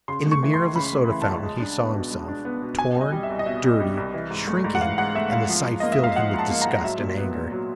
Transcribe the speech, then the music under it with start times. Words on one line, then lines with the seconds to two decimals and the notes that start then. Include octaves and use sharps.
In the mirror of the soda fountain he saw himself, torn, dirty, shrinking, and the sight filled him with disgust and anger.
0.08 C#3 C6
0.26 A3
0.32 C#6
0.43 E3
0.54 C6
0.59 C#2
0.76 C#3 B5
0.93 A3
1.09 E3
1.22 A5
1.27 C#2
1.43 G#3
1.60 D4
1.78 B3
1.94 B2
2.11 G#3
2.28 D4
2.45 B3
2.62 B2
2.79 B2 G#5
2.96 C2
3.01 D#5
3.12 G3
3.23 E5
3.30 C2
3.39 D#5
3.46 B2 E5
3.63 C2
3.80 G3
3.97 C2
4.14 E3
4.31 G#2
4.47 A3
4.64 G#2
4.75 F#5
4.81 E3 F5
4.98 G#2 F#5
5.15 A3 E5
5.32 G#2 F5
5.49 F3
5.65 G#2
5.80 A#3 D#5
5.92 E5
5.99 G#2 F5
6.16 F3 F#5
6.34 G#2 A5
6.50 A#3
6.62 A#5
6.67 G#2
6.84 F#3 E5
7.00 A#2
7.18 B3
7.35 A#2
7.52 F#3